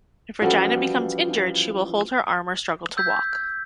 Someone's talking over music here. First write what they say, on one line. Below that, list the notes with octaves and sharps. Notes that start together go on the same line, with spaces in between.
If Regina becomes injured, she will hold her arm or struggle to walk.
E3 F3 G3 C#4 F#4 A4
E6 G6 G#6 B6